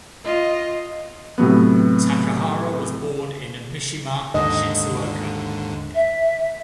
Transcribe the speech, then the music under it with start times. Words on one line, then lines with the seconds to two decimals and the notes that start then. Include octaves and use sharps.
Takahara was born in Mishima, Shizuoka.
0.25 F4 D#5
1.38 A2 C3 F#3 B3
4.34 D#2 G#2 D3 D#5
5.95 E5